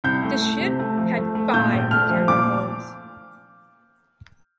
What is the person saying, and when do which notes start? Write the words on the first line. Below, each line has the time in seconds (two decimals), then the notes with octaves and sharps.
The ship had five cargo holds.
0.04 C2 G6
0.23 A3
0.42 A3
0.60 C3
0.79 A3
0.98 F3
1.17 A3
1.35 A3
1.54 A#2 G6
1.73 A#1
1.91 A3 F6
2.10 F3
2.28 A#2 D6